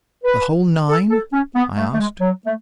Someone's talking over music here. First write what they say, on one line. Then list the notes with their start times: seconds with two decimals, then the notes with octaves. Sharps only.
"The whole nine?" I asked.
0.24 B4
0.89 A4
1.11 A4
1.32 C#4
1.55 B3
1.77 A3
1.93 A3
1.99 G#3
2.20 F#3
2.46 A3